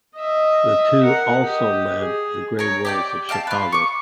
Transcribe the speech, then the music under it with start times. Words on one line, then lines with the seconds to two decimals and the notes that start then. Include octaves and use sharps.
The two also led the Gray Wolves of Chicago.
0.16 D#5 E5
1.04 A#4 F#5
1.43 G4 D#5
2.00 G#4
2.59 A#4 C#5
2.85 G4 D5 G5
3.29 G4 F5 F#5 A5
3.47 F4 B4
3.72 C#6 D6